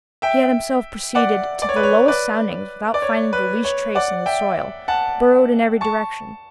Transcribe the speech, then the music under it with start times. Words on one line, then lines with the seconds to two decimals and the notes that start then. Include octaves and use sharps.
He had himself proceeded to the lowest soundings without finding the least trace in the soil, burrowed in every direction.
0.22 E5 G5
1.15 D5 F#5
1.62 D5
1.69 C#5
1.76 B4
1.83 C#5
2.08 B4 D5
2.94 D5
3.02 C#5
3.33 B4
3.64 C#5
3.95 D5 F#5
4.26 E5 G5
4.88 F#5 A5
5.81 A5 C#6